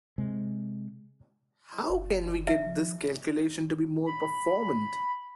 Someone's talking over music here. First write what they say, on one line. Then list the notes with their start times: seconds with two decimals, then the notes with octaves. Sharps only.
How can we get this calculation to be more performant?
0.18 C3 G#3
1.89 F#1
2.47 E5
2.66 F3
4.06 B5